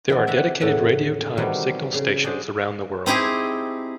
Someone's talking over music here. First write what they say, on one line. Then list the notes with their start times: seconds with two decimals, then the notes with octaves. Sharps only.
There are dedicated radio time signal stations around the world.
0.08 D#3 E3 B3 C4
0.27 D5 E5 F#5 A#5
0.60 E2 A2 C#3 F#5 A5
1.37 C3 D#3 E3 F#3 G3 B3
1.95 C#3
2.24 D4 G#4 C5 D5
3.06 C4 D#4 E4 G4 G#4